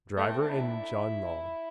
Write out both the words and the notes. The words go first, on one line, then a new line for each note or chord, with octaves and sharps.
Driver in John Long's.
A3
C4
D4
E4